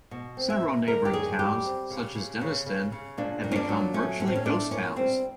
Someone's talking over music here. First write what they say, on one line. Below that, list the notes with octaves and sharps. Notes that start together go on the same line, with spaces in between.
Several neighbouring towns, such as Denniston, have become virtually ghost towns.
B2
C4
E5
B2
D3 A#4
G4
F#2 G#4
G3 G4
C4
C#3
C#3
C#3
C#3
C#3
A#2 D4
A#2
C#4
D4
F#3
A3 C#4
A2 C#4
C4
C#4
A3 D4
A#2 C#4
G3 C4